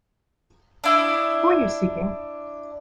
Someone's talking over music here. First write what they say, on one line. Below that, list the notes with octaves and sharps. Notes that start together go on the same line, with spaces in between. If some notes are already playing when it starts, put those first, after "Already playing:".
Who are you seeking?
D4 E4 D#5